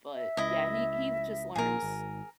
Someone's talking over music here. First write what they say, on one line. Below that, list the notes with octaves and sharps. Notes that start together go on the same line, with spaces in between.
but, yeah, he he just learns
E5
C#2 E4 D#5
A#1 A#2 F3 G#4 A#4
G#1